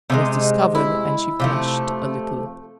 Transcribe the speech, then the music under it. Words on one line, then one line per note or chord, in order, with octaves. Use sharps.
She was discovered, and she blushed a little.
C3 F3 G#3 D#4
E4
C3 F3 A3